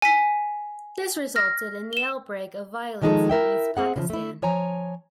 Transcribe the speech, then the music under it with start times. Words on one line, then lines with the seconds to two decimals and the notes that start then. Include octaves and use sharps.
This resulted in the outbreak of violence in East Pakistan.
0.02 G#5 B6
1.36 F6 A#6
1.93 E7 G7
3.02 D#3 F3 G#3 D#4 G#4 A4
3.29 E4 A#4 E5 G5
3.77 C4 G#4 F#5
3.96 C#3 E3 F3
4.10 A3 E4
4.42 F3 C#5 G#5 A#5